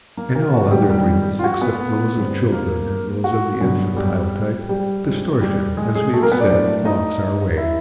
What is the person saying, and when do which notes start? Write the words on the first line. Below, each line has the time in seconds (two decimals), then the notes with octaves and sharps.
In all other dreams except those of children and those of the infantile type, distortion, as we have said, blocks our way.
0.17 A#3 A#4
0.35 A#3 A#4
0.54 F#4
0.71 G2 D#3 F#3 G3 B3 G4
0.90 G3 G4
1.39 F4
1.44 F#4
1.61 B3 B4
2.16 G2 D3 G3 C4
2.52 A#3 A#4
3.24 F#4
3.61 G2 D3 F#3 B3
3.97 G3 G4
4.69 G3 G4
5.05 G#2 F3 G#3
5.41 G3 G4
5.77 G#3 G#4
5.95 G#3 G#4
6.13 A3 A4
6.22 A#3 A#4
6.32 B3 B4
6.40 D4 D5
6.49 A2 F#3 A3
6.85 D#4 D#5
7.57 E4 E5